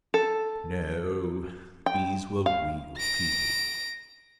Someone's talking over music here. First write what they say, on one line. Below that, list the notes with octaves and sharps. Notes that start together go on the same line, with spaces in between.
No, these were real people.
A4
G5
F5
A#6 D7